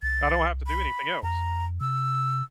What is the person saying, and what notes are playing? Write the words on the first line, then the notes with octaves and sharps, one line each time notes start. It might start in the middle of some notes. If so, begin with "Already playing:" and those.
I don't have to do anything else.
C2 A6
B5
F2 A#5
C3 E6